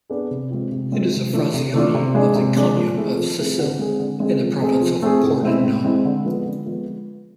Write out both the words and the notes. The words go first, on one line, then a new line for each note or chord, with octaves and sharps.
It is a "frazione" of the "comune" of Sacile, in the province of Pordenone.
B3 D4 G#4
C3
G#3 C4 F4
C3
G#3 C4 F4
C3
E3 A3 D4 F4
C3
E3 A3 D4 F4
C3
G#3 D4 G#4
C3
G#3 D4 G#4
F3
A3 C4 E4 G#4
F3
A3 C4 E4 G#4
D3
G#3 C4 G#4
D3
G#3 C4 G#4
F3
A3 C4 G#4
F3
A3 C4 G#4
A2
G#3 C4 E4
A2
G#3 C4 E4
D3
F3 G#3 B3
D3
F3 G#3 B3